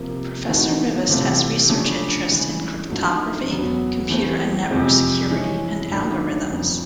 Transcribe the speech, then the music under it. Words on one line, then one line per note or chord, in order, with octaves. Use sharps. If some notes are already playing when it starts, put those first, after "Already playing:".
Professor Rivest has research interests in cryptography, computer and network security, and algorithms.
Already playing: C3 F3 A#3
E3 A3 C4 D#4 F#4
C3 E3 A3 C4 F4
C#3 F3 A3 D4
C#3 E3 G#3
G#2 F3 A3 D4 F#4
E2 C#3 F#3 B3
E3 A3 C4
F2 C3 F3 G#3 C4
E3 G#3 C#4 E4
G#2 D#3 F#3 A3 D4
F2 C#3 F3